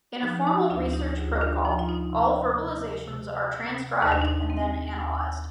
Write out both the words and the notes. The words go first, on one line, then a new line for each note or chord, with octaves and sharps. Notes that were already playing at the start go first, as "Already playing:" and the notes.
In a formal research protocol, all verbalizations are transcribed and then analyzed.
F3 D#4 G4
D#4
D2 D4 F4
D#4 G4
D2 F4 G#4
D4 F4
F3 D#4
F4
D#4
C3
C3
C3
C3
D#2 D#4
D4
D#4
C4
D#2